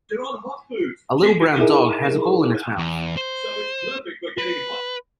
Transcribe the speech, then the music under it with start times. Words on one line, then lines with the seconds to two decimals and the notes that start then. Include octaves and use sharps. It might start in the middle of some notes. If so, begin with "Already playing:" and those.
A little brown dog has a ball in its mouth.
1.59 D#4 E4 G#4 A#4
2.78 E2
3.17 C5
4.38 B4